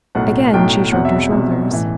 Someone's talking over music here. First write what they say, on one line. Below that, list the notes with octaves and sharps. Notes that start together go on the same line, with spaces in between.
Again she shrugged her shoulders.
B1 A2 F#3 F#5
B1 A2 F#3 G5
E1 E2 C3 F#3 F#5
E5
E1 E2 C3 F#3
A1 A2 E3